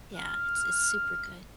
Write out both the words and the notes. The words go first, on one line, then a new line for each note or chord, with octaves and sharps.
Yeah, it's it's super good.
F6